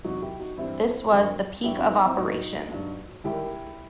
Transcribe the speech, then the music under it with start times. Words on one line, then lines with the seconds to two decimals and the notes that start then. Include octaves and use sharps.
This was the peak of operations.
0.04 E2 C3 F#3 D#4 F#4
0.22 E4 G4
0.39 D#4 F#4
0.57 G2 E3 G3 C4 E4
1.12 G2 D#3 F#3
1.64 G2 F#3 E4 G4
1.78 C4 E4
1.91 B3 D#4
2.05 C4 E4
2.18 A2 G3 D#4 F#4
2.71 G2 F#3
3.24 D#2 D#3 G3 E4 G4